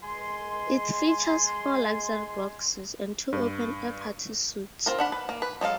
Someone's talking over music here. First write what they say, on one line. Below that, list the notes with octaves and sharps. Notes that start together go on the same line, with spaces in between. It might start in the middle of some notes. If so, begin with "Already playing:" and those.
It features four luxury boxes and two open-air party suites.
G#3 G#5 C6
G2
C4 F4 A#4
D4 F#5 B5
B4
A#3
B4
F#3 G#3 A4 F5